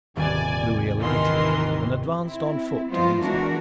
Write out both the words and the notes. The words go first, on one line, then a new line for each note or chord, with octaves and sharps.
Lewis alighted and advanced on foot to meet her.
D#1 G#2 C3 C4 D5 G#5
D#3 E3 A#4 C6
C4 E4
F3 G3 B3 F4 C5 D#5
E3 G#3 B3 D4 F#4 A#4